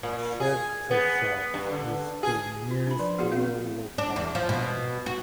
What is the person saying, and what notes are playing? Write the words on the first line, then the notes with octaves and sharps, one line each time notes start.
Shevtsov is the nearest rural locality.
A#2
G#4
B3
G2
D3
G#4
F4
D4 B5
F3 B4 D5
B3 F#4 G#4 F#5
C4 F5
D4
E2
F3
B2
F#4